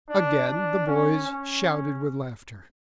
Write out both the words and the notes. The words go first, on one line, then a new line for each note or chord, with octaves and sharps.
Again the boys shouted with laughter.
D4
D4
C#4
C#4